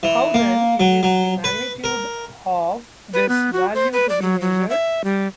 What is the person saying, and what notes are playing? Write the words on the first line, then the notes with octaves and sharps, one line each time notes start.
How, then, is the magnitude of this value to be measured?
E3
A#3
F#3
F#3
B4
A#4
B4
B3
F#4
C5
B4
D5
F#3
F#3
E5
G3